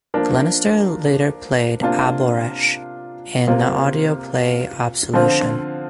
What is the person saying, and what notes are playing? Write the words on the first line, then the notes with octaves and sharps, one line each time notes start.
Glenister later played Aboresh in the audio play "Absolution".
F3 A#3 D4 A#4
C3 A#3 D4 F4
C3 A#3 F4
D3 F3 C4 F4